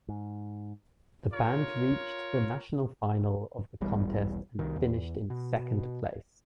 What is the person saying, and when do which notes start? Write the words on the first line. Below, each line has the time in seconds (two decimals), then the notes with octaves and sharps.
The band reached the national final of the contest and finished in second place.
0.08 G#2
1.31 F4 A#4 C#5
3.81 E1 B1 E2 G3
4.59 C2 D#3
4.76 E2
5.30 B2